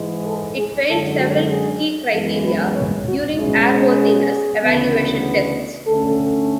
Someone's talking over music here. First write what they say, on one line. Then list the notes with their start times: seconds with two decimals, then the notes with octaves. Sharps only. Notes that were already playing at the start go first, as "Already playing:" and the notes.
It failed several key criteria during airworthiness evaluation tests.
Already playing: G#2 E3 G#3
0.26 A4
0.56 G#4
0.88 F#2 D3 G#3 A4
1.19 F#4
1.50 G#4
2.13 F#2 E3 G#3 B3 A4
2.45 B4
2.75 C#5
3.07 F#4
3.38 B2 G#3 C#4 E4
4.01 G#4
4.63 D2 C#3 E3 B3
5.87 D2 D3 A3 C#4 A4